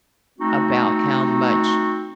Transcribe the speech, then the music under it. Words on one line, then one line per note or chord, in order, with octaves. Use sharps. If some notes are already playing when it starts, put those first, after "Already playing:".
about how much
A3 C4 D#4 F#4